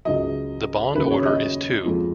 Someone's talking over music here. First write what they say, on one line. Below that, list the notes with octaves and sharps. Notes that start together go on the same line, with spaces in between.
The bond order is two.
C#2 C#3 F#3 D#5
D#2 C#3 F#3 B4
C#5
D#5
F2 F3 G#3